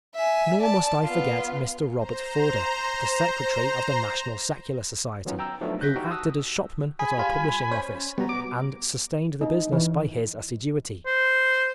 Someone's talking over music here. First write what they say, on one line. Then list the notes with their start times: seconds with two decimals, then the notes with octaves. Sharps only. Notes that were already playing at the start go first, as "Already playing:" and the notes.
Nor must I forget Mr. Robert Forder, the Secretary of the National Secular Society, who acted as shopman at our publishing office, and sustained the business by his assiduity.
0.15 E5 G#5
0.62 D5 A5
1.04 B3 F4
1.96 C5 A#5
5.25 D#3 F#3 B3 C#4 D#4 F4
5.39 G5 A#5 E6
5.61 F3 F#3 A3 B3 D4 D#4
5.81 F#6 G6 A#6 B6
5.96 D#4 F#4 G4 G5
6.10 A5 D#6 E6 F#6
6.99 G#4 G#5 B5
7.18 G3 F4
7.71 C#4 C5 C#5
8.18 B2 G3 B3 F#4 A#5
8.29 D6
9.41 D#4
9.73 E3
11.06 C5